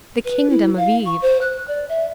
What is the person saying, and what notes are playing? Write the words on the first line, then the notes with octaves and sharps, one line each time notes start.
The kingdom of Eve.
B4
E4
F5
C#6
C5
F#6
D5
E5